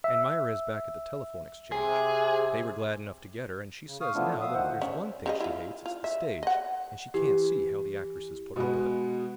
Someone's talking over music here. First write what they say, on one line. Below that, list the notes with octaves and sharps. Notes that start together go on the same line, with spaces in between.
And Myra is back at the Telephone Exchange--they were glad enough to get her, and she says now that if there's one thing she hates, it's the stage, and she can't see how the actresses put up with it.
E5
C3 G#4
C#3
F5 C#6 D#6 F6
F3 A3 B3 D4 E4 F4
E5 F5 D#6
D2 D#3 C5 F#5
C#4 D4
C#3 G3 D#5
E4 F4
F4
E5
D#5 F#5
E3 G4
B2 G#3 B3